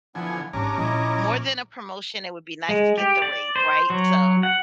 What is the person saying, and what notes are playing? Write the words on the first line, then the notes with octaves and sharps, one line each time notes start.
More than a promotion, it would be nice to get the raise, right, so,
D3 F3 B3 E4 F#5 G#5
G#1 C#4 D4 G4 A#5 D6
A#1 E4 D#5
G#3
G4
D5
C5
F#3
F#5